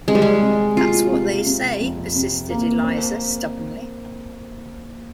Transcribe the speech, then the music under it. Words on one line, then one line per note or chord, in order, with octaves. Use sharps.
"That's what they say," persisted Eliza stubbornly.
C3 G#3
G3
G#3
C3
C3 F4
C3
C3
F2
C3
A#3
C4